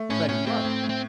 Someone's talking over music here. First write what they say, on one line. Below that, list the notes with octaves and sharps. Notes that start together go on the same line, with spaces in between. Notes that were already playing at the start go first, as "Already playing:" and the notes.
Very well!
Already playing: A3
A2 C#4
A2 C#4
A3 C4
A2
A2
C4